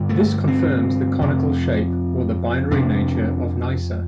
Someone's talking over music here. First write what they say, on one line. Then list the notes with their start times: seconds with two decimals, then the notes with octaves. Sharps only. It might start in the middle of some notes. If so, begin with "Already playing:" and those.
This confirms the conical shape or the binary nature of Nysa.
Already playing: G2 D3
0.09 A3
0.48 C4
1.21 F2 C3
2.71 F2 C3 D4